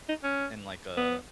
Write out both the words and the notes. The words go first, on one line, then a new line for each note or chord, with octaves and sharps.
in, like, a
D#4
C#4
B3